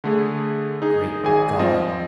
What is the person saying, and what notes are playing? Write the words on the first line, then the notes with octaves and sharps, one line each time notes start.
Great God!
D3 A3 G#4
D#4 G#4
G#1 G#4 G#5
F3 C4 D#5